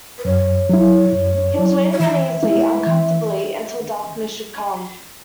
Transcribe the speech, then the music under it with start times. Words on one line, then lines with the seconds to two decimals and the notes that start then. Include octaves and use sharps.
He was waiting uneasily, uncomfortably, until darkness should come.
0.18 B4
0.25 F#2 C#5
0.69 F#3 E4
1.12 F#2
1.56 F#3 E4
1.92 C#5
1.99 E3 E5
2.43 G#3 B3 E4
2.86 E3